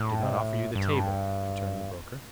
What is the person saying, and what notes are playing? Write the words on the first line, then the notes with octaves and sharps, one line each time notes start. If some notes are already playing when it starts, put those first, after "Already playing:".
"I did not offer you the table," returned the broker.
Already playing: A2
C3
A2
G2